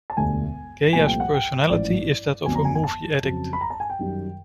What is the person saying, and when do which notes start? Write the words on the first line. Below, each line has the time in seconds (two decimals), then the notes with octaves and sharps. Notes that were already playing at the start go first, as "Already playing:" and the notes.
Gaea's personality is that of a movie addict.
0.10 A5
0.16 E1 D2 D3 G3 G#5
0.93 C2 A#2 F3 A3 G#5
1.07 G5
1.20 F#5
1.34 G5
1.69 A1 G#2 F3 D5
2.46 G1 F2 D3 F#3 A3 G#5
2.55 A#5
2.65 G#5
2.75 G#5
2.84 A5
3.23 F2 C#3 F#3
3.53 B5
3.61 A#5
3.70 A5
3.80 G#5
3.90 G5
3.99 F#2 D#3 G3